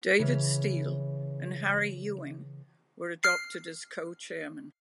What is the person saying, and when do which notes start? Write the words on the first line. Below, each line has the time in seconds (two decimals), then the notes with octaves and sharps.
David Steel and Harry Ewing were adopted as co-chairmen.
0.19 C#3 E3 B4 F6
3.24 F6 C7